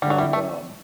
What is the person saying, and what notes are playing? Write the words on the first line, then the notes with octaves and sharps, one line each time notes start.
of, um,
D3 G3
F#3
G3 E4
A3